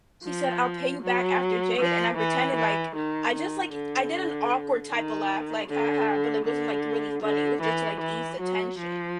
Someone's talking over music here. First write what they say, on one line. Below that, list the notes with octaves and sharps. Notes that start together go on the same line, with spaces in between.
She said, "I'll pay you back after Jade," and I pretended like I just, like I did an awkward type of laugh, like, "Haha," but it wasn't, like, really funny, it was just to, like, ease the tension
F3
F#3
F3
E3
E3
D#3
D#3
D3
D#3
D3
D3
D3
E3
E3
F#3
F3